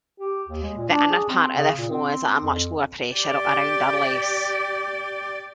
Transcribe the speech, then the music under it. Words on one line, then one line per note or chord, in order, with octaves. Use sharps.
The inner part of the flow is at much lower pressure, around or less.
G4
D#2
G#3
A#2
D4
G#4
C4
C#3
A#2
C4
F2
G4 D5